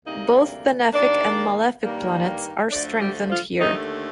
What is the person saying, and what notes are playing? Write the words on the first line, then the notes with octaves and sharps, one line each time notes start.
Both benefic and malefic planets are strengthened here.
D2 C3 G3 A#3 D#4 D#5
D#2 D#3 A#3 D4 D5
G2 D#3 G3 A#3
D2 D3 F3 A3 D4 D5
G3 G4
F3 F4
D#2 D3 D#3 A3 D#4